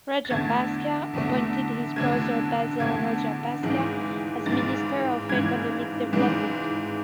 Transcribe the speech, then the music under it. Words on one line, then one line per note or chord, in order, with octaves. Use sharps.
Rajapaksa appointed his brother Basil Rajapaksa as minister of Economic Development.
A6
E2 D3 A3 G#6
E2 D3 A3
E2 D3 A3 G#6
E2 D3 A3 G#6
G#1 G#2 E3 G#3
G#1 G#2 E3 G#3 A6
G#1 G#2 E3 G#3 G#6
G#1 G#2 E3 G#3